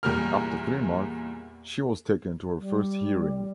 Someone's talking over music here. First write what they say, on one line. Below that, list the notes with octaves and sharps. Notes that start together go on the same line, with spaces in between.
After three months, she was taken to her first hearing.
E2 A#2 G3 A#4 F6
G3